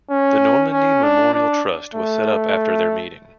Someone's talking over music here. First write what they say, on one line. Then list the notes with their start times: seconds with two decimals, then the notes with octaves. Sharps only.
The Normandy Memorial Trust was set up after their meeting.
0.11 C#4
0.73 C#4
1.04 D4
1.34 D4
1.95 A3